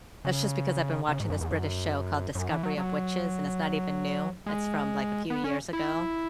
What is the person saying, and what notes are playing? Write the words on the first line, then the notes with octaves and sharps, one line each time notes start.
That's just because I've been watching this British show called Discovery of Witches, and it's not even new, it's from, like, a few years ago,
C#3
C#3
G#2
F#2
E2
F#2
F#2
E3
F#3
F#3
G#3
B3
C#4
E4